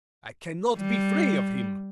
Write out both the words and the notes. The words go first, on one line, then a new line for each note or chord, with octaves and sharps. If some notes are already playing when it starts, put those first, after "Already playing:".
I can not be free of him.
G3